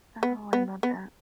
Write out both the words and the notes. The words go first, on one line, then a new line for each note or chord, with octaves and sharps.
Oh, I love that.
B3
B3
B3